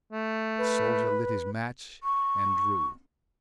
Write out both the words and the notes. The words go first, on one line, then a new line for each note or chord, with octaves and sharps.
The soldier lit his match, and drew.
A3
B4
C#6